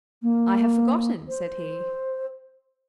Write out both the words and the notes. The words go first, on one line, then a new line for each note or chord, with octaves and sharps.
"I have forgotten," said he.
A#3
C5